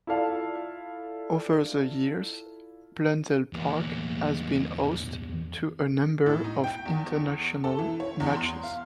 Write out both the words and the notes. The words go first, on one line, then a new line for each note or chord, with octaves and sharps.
Over the years Blundell Park has been host to a number of international matches.
E4 F4 A4 D5 F5 A5
E2 A#3
A2
D#4
G5
E2
A4
E3
C#5
E2
C6
F5